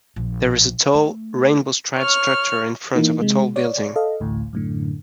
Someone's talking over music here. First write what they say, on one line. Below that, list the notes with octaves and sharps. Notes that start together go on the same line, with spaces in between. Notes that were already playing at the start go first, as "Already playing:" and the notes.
There is a tall, rainbow striped structure in front of a tall building.
A#1
A3
C#5 F6
E3 A#3 D#4
C3 G#3
C#5 D5
A4 D#5 F5
A1 D2 A2
F#2 A2 D3